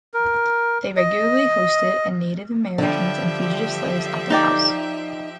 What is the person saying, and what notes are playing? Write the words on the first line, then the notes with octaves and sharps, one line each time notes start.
They regularly hosted native Americans and fugitive slaves at their house.
A#4
D#5
D3 F3 G3 G4 E5
D#4 D5 G5